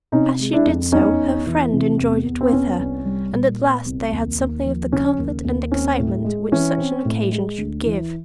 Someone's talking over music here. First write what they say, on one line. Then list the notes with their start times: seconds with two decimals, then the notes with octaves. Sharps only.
As she did so her friend enjoyed it with her, and at last they had something of the comfort and excitement which such an occasion should give.
0.12 C3 C#4 D#4
0.40 G#3
0.53 D4 E4
0.66 F2
0.92 E2 C#4 D#4
1.19 E2
1.46 E3
1.72 C3
1.99 E2
2.26 E2
2.41 C4
2.53 B3 C#4
2.79 C2
3.05 G3
3.32 A#2
3.59 B3
3.86 C2
4.12 D#2
4.39 D#2
4.65 F3
4.92 C#3 C#4
5.19 D#2
5.45 D#2
5.72 C4 C#4
5.99 A2
6.24 G#3
6.52 E3 C#4
6.78 C4
7.05 A2
7.32 G#3
7.58 D2
7.85 E3